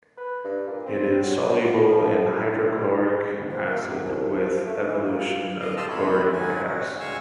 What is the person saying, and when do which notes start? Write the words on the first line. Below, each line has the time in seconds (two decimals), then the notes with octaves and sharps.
It is soluble in hydrochloric acid with evolution of chlorine gas.
0.17 B4
0.45 G2
0.67 A#2
0.86 C4
1.22 F#3
1.65 A#2
1.88 F3
2.39 D3
2.58 G2
2.75 G3
3.49 F3
3.66 A#3
3.83 F#2
4.05 C2
4.29 F3
4.46 F3
4.66 A3
4.89 E3
5.05 A#3
5.18 F4
5.60 D#5 F5
5.77 G4 D#5 A5 C6 E6 F6
5.90 F2 A2 C3 C#5 B5
6.33 G#2 D#3 F#3 G#5
6.66 F#4
7.00 D2 G#3 F5 G#5 C#6 E6